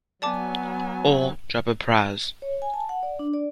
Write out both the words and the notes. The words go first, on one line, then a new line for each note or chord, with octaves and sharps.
Or drop a prize.
F#3 B3 D5 G#5 A5 D6
C#5
G#5
A5
F#5
D5
D4
D5